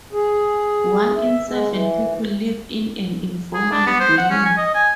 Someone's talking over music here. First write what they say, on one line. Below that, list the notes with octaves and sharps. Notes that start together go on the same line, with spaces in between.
One in seven people live in an informal dwelling.
G#4
E5
G#3
E3
G#4
D4
B3
C5
F#5
C#4
G#5
D#5
G#5